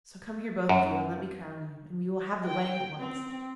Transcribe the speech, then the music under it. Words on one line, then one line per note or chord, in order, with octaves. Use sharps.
So come here both of you and let me crown you, and we will have the wedding at once.'
F#2
G5
C4